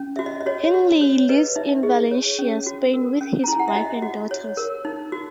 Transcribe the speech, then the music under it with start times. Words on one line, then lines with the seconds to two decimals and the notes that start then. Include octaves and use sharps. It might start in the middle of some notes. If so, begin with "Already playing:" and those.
Hingley lives in Valencia, Spain with his wife and daughters.
Already playing: C#4
0.16 F#4 E5
0.26 D#5
0.41 D#5
0.46 F#4 C#5
0.74 F#4
1.01 C#5
1.29 B4 D#5
1.56 D#4 E5
1.83 G#4 D#5
2.11 C#5
2.39 C#4
2.66 F#4
2.94 A#4
3.21 C#4
3.44 A#5
3.48 E4 G#5
3.60 F#5
3.68 E5
3.75 F#4 D#5
4.02 F#4
4.31 C#5
4.57 A#4
4.85 D#4
5.12 F#4